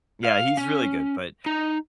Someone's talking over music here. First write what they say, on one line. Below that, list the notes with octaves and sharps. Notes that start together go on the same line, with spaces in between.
Yeah, he's really good, but,
F5
C#4
D#4